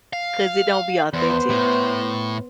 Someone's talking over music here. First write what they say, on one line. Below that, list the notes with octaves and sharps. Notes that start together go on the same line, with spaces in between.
'Cause it don't be authentic.
F5
E2 B3 C5
A2